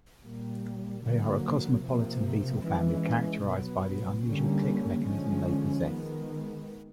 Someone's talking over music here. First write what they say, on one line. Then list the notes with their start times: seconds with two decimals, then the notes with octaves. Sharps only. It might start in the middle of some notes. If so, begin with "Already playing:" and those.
They are a cosmopolitan beetle family characterized by the unusual click mechanism they possess.
0.22 A#2 G3 A#3
1.03 D3 F#3 A#3
1.83 C3 F3 A#3
2.64 E3 G#3 C#4
3.44 B2 F#3 B3
4.24 D3 G3 A#3 C#4
5.05 D3 F3 G#3 C#4
5.86 D#3 G#3 B3